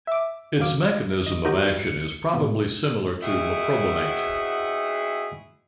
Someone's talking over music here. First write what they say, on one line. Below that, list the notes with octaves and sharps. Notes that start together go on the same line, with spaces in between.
Its mechanism of action is probably similar to meprobamate.
E5 D6
E2 D#3 F#3 F5 D6
G#1 D#5
D#4 F#4 G4 A#4 C5 D#5
C#7
A2 C3 B3
B3 C4 D#4 E4 F#4 G#4